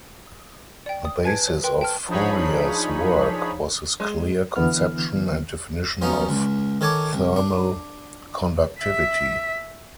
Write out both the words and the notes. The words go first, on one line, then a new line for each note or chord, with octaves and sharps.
The basis of Fourier's work was his clear conception and definition of thermal conductivity.
D5 G5
D#6
B4 G#5 A5 G#6 D7
C#5
A#4 B4 G5 C6
G5 A5 F6
F3 D4 D#4 G#4 C#5 B5
G#3
D3 E3 B3 F6
F3 F#3 B3 C#4 D#4
C#2
D#3 A4 C#5 G#5 A5 D6
C2
D4
E5 B6